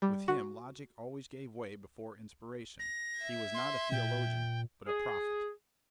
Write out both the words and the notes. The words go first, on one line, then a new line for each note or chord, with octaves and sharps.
With him logic always gave way before inspiration: he was not a theologian, but a prophet.
G3
F#4
A#6
E5 G#6
C6
A#2 G5
G#4